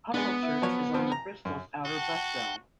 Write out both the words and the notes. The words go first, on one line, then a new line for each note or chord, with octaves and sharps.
Pucklechurch is on the Bristol's outer bus zone.
G#3 B3 D4
E4
F3 F#3 C#5
F3 C4
A#5
F#2
F#4 F#5 G5 A5